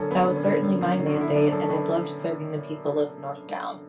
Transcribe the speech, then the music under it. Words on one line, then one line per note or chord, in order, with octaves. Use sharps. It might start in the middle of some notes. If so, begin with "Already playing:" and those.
That was certainly my mandate and I've loved serving the people of North Down.
Already playing: F#2 D3 C#4 A4
F#2 B3
D3 B3
C#4
D3 B3
F#2
F#2
D3
F#4
D3 E4
F#2 D4
F#2 A4
A4
D3 B4